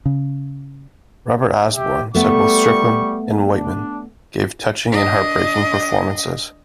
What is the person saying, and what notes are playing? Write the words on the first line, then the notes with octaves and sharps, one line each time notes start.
Robert Osborne said both Stricklyn and Wightman gave "touching and heartbreaking performances".
C#3
G4 E5
G3 A3 B3 C#6
D4
D4 D#5